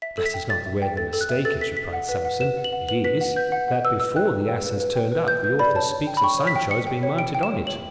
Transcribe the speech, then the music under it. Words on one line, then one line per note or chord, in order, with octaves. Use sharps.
"That is not where the mistake is," replied Samson; "it is, that before the ass has turned up, the author speaks of Sancho as being mounted on it."
E5 B6
A4
B6
G5
A4 A6
E5
G5
A4 A6
A4
F#6
E5
A4 A6
A4 B6
A4 B6
F#5
B4
F#5
B4 E7
F#5
F#7
F#5
B4 F#7
B4 B6
F#5
B4 G6
F#5
F#5
B4 E6
B4 E6
G5 F#6
B4
G5
B4
B4
G5
B4
B4 G6
B4 G6
D5 B5
C#5 A5
C#5
G5
B5
G5 C#6
C#5
B6
G5
G5 C#7
G5
C#5
G5 D7
G5
E7
C#5
C#5 F#7